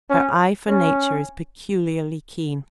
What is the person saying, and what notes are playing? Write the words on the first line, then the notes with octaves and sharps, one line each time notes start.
Her eye for Nature is peculiarly keen.
C#4
C#4